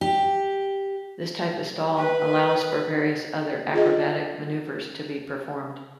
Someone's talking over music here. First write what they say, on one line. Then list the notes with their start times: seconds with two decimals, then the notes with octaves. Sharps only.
This type of stall allows for various other acrobatic maneuvers to be performed.
0.01 G4
1.97 B4
3.74 F4 G#4 D#5